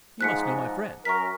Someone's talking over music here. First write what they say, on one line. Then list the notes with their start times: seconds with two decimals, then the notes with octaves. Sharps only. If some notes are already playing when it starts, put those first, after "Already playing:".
You must know my friends....
0.21 G#2 F3 F#6 B6 C#7
1.05 F#2 A#4 C#6 B6